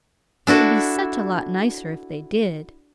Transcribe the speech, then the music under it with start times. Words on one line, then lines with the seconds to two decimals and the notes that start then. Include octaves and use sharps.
It would be such a lot nicer if they did!
0.47 D4 E4 F#4 A4